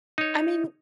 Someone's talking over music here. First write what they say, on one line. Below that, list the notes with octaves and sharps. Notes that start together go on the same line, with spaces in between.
I mean,
D#4 C#5